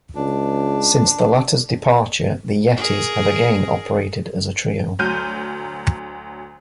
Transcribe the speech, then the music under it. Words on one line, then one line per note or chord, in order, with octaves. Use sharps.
Since the latter's departure, The Yetties have again operated as a trio.
C#2 D4
G#4 A#4
D2 F#3 F6 G6 D#7